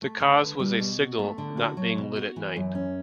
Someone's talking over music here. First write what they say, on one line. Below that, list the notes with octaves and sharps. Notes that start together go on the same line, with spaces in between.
The cause was a signal not being lit at night.
A3
D3
B4
G3
B2
F#4
A3
D3
F#4
F#3
B2
F#4
E3
F#2
C#4